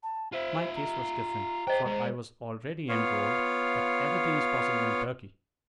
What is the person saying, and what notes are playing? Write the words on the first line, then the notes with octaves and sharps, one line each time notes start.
My case was different, for I was already enrolled; but everything is possible in Turkey.
A5
F4 C5 E5
A#5
G#4 C5 D#5 G5
G#2 G#3
B3 F4 C#5 F5